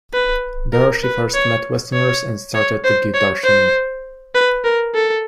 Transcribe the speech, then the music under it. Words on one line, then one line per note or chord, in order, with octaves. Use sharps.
There she first met Westerners and started to give Darshan.
B4
A#4
B4
C#5
C#5
C#5
C5
C#5
C5
B4
A#4
A4